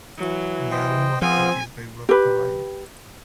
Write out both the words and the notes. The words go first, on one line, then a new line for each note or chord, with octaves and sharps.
The album was produced by Rob Cavallo.
E3 F#3
C5 D#5 G5
F3 B3 C4 F4 G#4 G#5
G4 B4